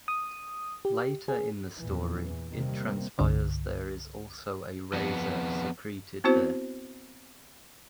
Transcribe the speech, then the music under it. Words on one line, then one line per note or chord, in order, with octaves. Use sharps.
Later in the story it transpires there is also a razor secreted there.
D#6
G4
G#4
E2 A#2 E3
C3 D#3 G3 A#3 C4
C2 G2 D3
F2 B3
B3 C4 E4 F#4 C5